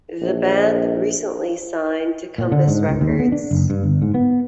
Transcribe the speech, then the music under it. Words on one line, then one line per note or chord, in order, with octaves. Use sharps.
The band recently signed to Compass Records.
A#1
A#2
D3
G#2
C#2
D#2
B3
D4
F#1
G2
G1
G#2
B3